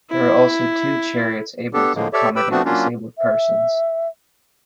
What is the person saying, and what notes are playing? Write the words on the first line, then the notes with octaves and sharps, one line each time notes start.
There are also two chariots able to accommodate disabled persons.
E4
B3 D4 G4 A4
A2 D3 F3 G#3 A#3
G4 A4 C#5 D5 E5
G4 B4 G5 B5 E6
F3 A3 B3 C4 D4 F#4
F#3 A#3 C#4 D4 F4
E5